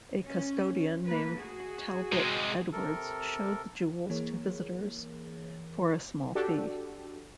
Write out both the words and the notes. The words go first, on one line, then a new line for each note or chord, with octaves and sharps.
A custodian named Talbot Edwards showed the jewels to visitors for a small fee.
C#4
A3 A#3 B4
F#4 G#4
C3 G#3
C3 A4 A#4
E3 A#3 G#4 A#4 C#5
D4 F#4 G4 A4